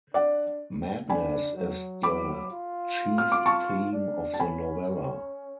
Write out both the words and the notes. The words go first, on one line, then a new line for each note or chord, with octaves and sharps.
Madness is the chief theme of the novella.
D4 D5 F#5
D4 G#5 B5
F#3
F#3 B5 D6
F4
F6
D6
A5 C#6
D4
A5
C#4 G#5 B5